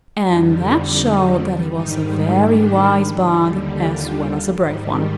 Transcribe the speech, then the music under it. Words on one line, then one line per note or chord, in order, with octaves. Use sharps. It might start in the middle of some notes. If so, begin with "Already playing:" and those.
And that showed that he was a very wise bug as well as a brave one.
F2 D3 G3 D#4
D#4
G#2 D#3 G3 D#4
D4
D#2 D3 G3
F4
G#2 D#3 G3 G4